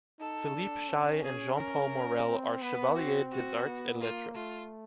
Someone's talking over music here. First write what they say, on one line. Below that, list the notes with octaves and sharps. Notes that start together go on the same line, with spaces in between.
Philippe Chaix and Jean-Paul Morel are chevaliers des Arts et Lettres.
D#4 A4
D4
C#4
G#4
A#4
C4
B3 B4
C4 F#4
F#4
B3
A#3 F4
A3 F4